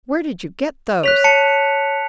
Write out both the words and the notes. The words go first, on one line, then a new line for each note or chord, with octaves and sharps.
Where did you get those?
C#5 F#6 B6 F7
A5 C#7